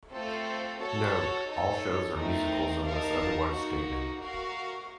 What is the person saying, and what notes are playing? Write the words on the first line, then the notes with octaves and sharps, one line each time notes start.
Note: All shows are musicals unless otherwise stated.
A3 C4 F4 A4 C5
F#4 A4 C#5 A5
D#4 A4 C#5
A3 C4 D#4 A#4
D#4 A#4 F5 A5
A#3 D#4 F#4
F#4 A#4 F5